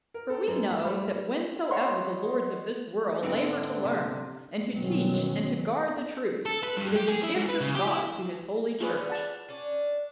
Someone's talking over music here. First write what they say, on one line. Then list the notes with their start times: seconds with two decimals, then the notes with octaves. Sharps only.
For we know, that whensoever the lords of this world labour to learn, and to teach and to guard the truth, it is a gift of God to his Holy Church.
0.14 A#4
0.30 A4
0.47 F#2
0.85 G3
1.71 C#5 D#5 F#5 B5 C6
3.23 G#2 D3 B3 C4 E4
3.85 C3
4.72 G1 B2 D#3 F#3 C4 C#4
6.45 A4
6.63 B4
6.77 G2
6.95 G4
7.08 G#4
7.23 E4
7.35 G#2
7.49 B4
7.61 C#3
7.75 G4
7.88 E4
8.80 E3 C#4 D4 F4 G#4 B4
9.10 F#5 A5
9.49 C#4 D4